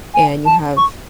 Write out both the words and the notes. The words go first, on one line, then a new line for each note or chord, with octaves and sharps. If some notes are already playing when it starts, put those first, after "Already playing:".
and you have
G#5
A5
C#6